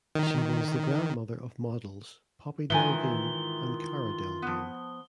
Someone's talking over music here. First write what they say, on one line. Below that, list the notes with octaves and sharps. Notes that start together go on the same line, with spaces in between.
She was the grandmother of models Poppy Delevingne and Cara Delevingne.
D#3
G#2 D#3 E3 F4 G#5 G7
F3 B3